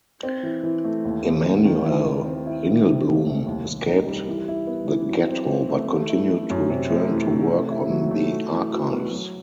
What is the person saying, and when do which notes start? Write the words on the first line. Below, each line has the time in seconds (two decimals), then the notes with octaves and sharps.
Emanuel Ringelblum escaped the ghetto, but continued to return to work on the archives.
0.23 C4
0.43 E3
0.63 E3
0.84 A3
1.05 D#2
1.24 D#2
1.45 D#2
1.65 D#3
1.85 E4
2.06 E4
2.25 C4
2.46 E4
2.66 D#3
2.87 C3
3.06 A3
3.26 C2
3.47 D#2
3.67 D#2
3.87 D#4
4.07 G3
4.28 E3
4.48 E4
4.67 B3
4.88 E3
5.08 F#3
5.28 C4
5.48 C4
5.69 A3
5.88 A3
6.09 E4
6.29 E3
6.50 F#2
6.70 C3
6.90 A3
7.09 E3
7.30 C3
7.50 A3
7.71 E4
7.90 F#3
8.11 A3
8.31 F#4
8.51 E3
8.72 F#4
8.92 B3
9.11 F#3